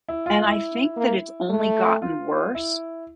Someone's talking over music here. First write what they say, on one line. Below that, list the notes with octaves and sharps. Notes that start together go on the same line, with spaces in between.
And I think that it's only gotten worse
E4
F4
E4
A#3
A3
F4
E4